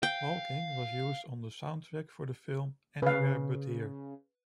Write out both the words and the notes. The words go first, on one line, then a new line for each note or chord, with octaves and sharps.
"Walking" was used on the soundtrack for the film, "Anywhere but Here".
F5 G5
C#3 B4 F5